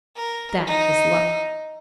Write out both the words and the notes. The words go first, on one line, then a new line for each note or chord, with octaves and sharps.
That was luck.
A#4
D#4